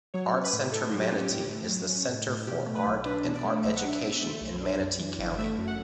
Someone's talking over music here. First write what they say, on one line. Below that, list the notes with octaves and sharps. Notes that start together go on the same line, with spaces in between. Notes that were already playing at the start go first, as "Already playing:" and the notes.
ArtCenter Manatee is the center for art and art education in Manatee County.
F#3 C#5
C#4
B4
A2
A2 A4
F#3
G4
C#4
A2
A2
F#3
C#4
A2
A2
B2 G4
A3
B4
B1
D4 B4
B2
D5
A3
B1 E5
F#5
D4 E5
B2
A3
B1
D4
F#2
E3
G1
A3 E5
F#2
F#5